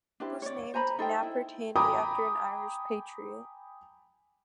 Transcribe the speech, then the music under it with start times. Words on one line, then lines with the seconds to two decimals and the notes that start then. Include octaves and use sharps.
The club was named Napper Tandy after an Irish patriot.
0.20 D4 E4 G4 C5
0.42 C#5 D5
0.74 C5 G#5 A#5 B5
0.99 D#4 A4 C5 G5
1.23 E4
1.76 G5 G#5 A#5 B5 D6 D#6